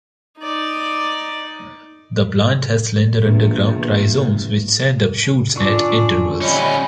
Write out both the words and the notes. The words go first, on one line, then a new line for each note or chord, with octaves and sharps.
The plant has slender underground rhizomes which send up shoots at intervals.
D#4 D5
E2 G2 A#2
D3 C#4 D4 F4 C#6
G3 C#4 D#5 G#5 B5 G6